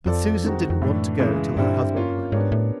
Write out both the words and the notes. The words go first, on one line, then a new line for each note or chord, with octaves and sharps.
But Susan didn't want to go till her husband went.
F2 C4 F4 A4 D5
D#3 G#3 C4 D#4 F#4
F2
F#2 A2 E3 A3 D4
C#3 E3 G#3
G2 D3 G3 C4 E4
A#3 C#4 F4
G#2 B3 D4 G4 A#4 C#5
A2